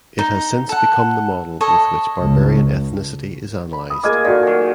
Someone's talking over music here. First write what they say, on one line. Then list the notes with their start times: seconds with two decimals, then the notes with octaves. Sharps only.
It has since become the model with which "barbarian" ethnicity is analyzed.
0.19 D#4
0.69 A4 F#5
1.61 A4 C#5 D#5
2.21 C#2
3.73 B5
3.90 D#6
4.03 A#3 F4 G#4 D#5 G#5 D6
4.25 D#3 F#4 A4 D5
4.43 F#3 G#5